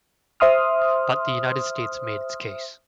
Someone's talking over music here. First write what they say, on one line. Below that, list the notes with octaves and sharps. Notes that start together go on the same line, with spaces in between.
But the United States made its case.
C5 E5 C6 D#6 F6